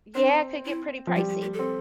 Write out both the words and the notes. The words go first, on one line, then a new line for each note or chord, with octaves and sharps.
Yeah, it could get pretty pricey.
C4 D4
E4
F3
G3 F4
G4
G4
A4
C4